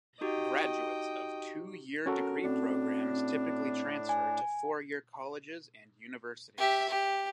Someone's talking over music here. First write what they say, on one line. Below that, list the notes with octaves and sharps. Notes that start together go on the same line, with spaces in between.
Graduates of two-year degree programs typically transfer to four-year colleges and universities.
D#4 F#4 G4 D#5 G5
C#4 F#4 A4 A#4
A2 C4 D4
G#5
G4 E5
G4